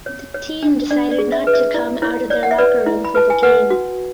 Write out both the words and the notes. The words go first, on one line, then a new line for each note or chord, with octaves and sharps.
The team decided not to come out of their locker room for the game.
C#5
C#5
D4
D4 D5
D5
G#4
E5
B4
E5
E4 D5
E4 C#5
C#5 D5
F#5
E5
B4 D5
E4
B5
B4 A5
G#5
B4 F#5
F#4